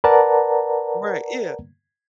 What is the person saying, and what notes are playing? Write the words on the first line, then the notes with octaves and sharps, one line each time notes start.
Right, yeah.
A#4 B4 D5 F#5 A5 A#5